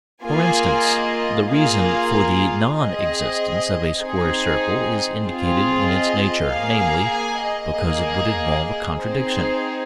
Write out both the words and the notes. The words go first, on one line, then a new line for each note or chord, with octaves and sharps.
For instance, the reason for the non--existence of a square circle is indicated in its nature, namely, because it would involve a contradiction.
A#3 F4 G#4 G#5
D#5
A#3 F4 G#4 F5
C4 G#4 D#5
C4 D#4 G#4 C5
C4 F4 G#4
D#5
A#3 G#4 F5
F5
G#5
D#5
A#3 G#4
C4 D#4 G#4 C5
C5